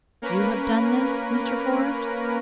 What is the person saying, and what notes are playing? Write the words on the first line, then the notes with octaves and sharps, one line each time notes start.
"You have done this, Mr. Forbes?"
A#3 C#4 A#4 B4